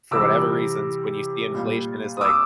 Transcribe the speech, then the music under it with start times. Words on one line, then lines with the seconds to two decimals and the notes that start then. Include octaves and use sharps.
for whatever reasons, when you see inflation is like
0.11 C3 E3 G3 D6 E6
1.51 A#2 G3
2.17 D#6
2.21 D6 E6